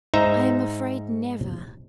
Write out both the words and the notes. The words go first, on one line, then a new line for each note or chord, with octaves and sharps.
I am afraid never....
G#2 D#4 C5 E5 A#5